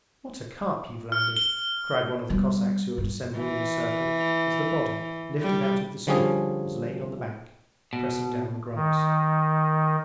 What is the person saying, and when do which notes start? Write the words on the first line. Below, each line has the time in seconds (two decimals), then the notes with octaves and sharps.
'What a carp you've landed!' cried one of the Cossacks who had assembled in a circle, as the body, lifted out of the skiff, was laid on the bank, pressing down the grass.
1.12 F6
1.37 G7
2.30 G3 B3
2.98 G2
3.37 E3
5.42 G3
6.07 D3 F3 G3 C#4 G#4
7.93 B2
8.75 D#3